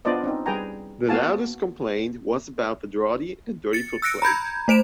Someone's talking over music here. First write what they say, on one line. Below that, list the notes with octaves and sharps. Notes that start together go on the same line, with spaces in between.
The loudest complaint was about the draughty and dirty footplate.
B3 D4 F4 C5 D5 D#5
C4 C#4 D#4
G3 G#4 B4 G5 G#5 A#5
A#3 B3 F#4 F5 G#5 A5
A6 C#7
E6 F#6 A#6 C#7 D7
A#5 B5 G6 G#6
A3 C5 D7 E7